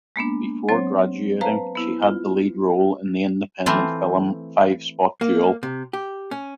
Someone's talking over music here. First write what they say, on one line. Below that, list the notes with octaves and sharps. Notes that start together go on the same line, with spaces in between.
Before graduating, she had the lead role in the independent film "Five Spot Jewel".
G#3 A#3 B3 D4
F#3 C4 C5 C#5
B4 C5 F5 A5 A#5
B3 E4
F4
E3 A3 C4 F4 C5
A#3
C3
G4
C#4